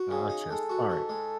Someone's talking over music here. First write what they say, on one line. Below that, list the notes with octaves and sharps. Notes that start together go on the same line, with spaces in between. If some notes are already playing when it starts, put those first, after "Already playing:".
Gotcha, smart.
Already playing: F#4
C#3 G#4
D#4
G#3 A4
F#4
G#2
G#3